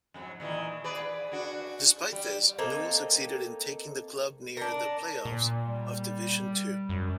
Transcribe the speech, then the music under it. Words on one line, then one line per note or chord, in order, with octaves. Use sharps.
Despite this, Newell succeeded in taking the club near the play-offs of Division Two.
F2 G#2 F#3
A#2 D#3 E3
G#4 B4 D5
D4 F#4
G3
A#3 C4 D#4 A4
D4 A#4
A#2
G3
F#2